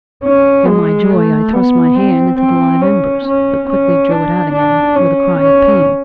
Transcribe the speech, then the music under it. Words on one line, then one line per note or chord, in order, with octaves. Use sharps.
In my joy I thrust my hand into the live embers, but quickly drew it out again with a cry of pain.
C#4
G#3
A3
B3
C4
C4
C#4
C#4
C#4
D4
D4
C#4
C#4